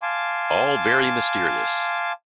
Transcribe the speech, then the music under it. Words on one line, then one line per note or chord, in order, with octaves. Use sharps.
All very mysterious!
F5 G#5 A5 C6 D6